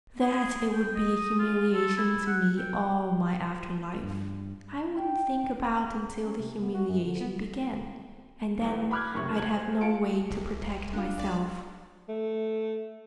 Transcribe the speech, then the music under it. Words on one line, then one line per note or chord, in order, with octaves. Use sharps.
That it would be a humiliation to me all my after life, I wouldn't think about until the humiliation began, and then I'd have no way to protect myself.
G#4
G5
D#5
D#6
F4
A4
E4
F#5
G5
G2
G5
C#4
C3
B3
F#4
F#2
D3
B3
B1 E2
B5 D6 F6 F#6 G#6
F#1 F#2 A2 C3 C#6
A5 G#6 F#7
C5
F4 A5 C#7 D7
C2
D4 F4
B1 D5
A3